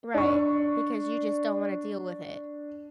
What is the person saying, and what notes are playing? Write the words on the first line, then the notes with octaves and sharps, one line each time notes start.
Right, because you just don't want to deal with it.
D4 C#6